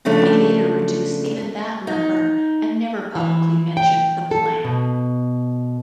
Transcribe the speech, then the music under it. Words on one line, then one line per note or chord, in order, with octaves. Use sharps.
He later reduced even that number and never publicly mentioned the plan.
C#3 F3 A3 C#4 D4
D#4
E3
G5
A4
B2